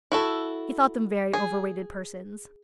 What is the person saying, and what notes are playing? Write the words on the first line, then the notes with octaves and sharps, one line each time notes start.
He thought them very over-rated persons.
E4 F#4 A4
G#4